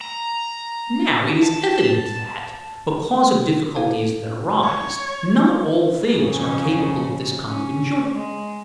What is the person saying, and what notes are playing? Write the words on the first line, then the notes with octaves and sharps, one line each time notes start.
Now it is evident that, because of difficulties that arise, not all things are capable of this kind of enjoyment.
A#5
A5
E4 A4 F5
C#5
F2 C#3 C#4
C#4
G#3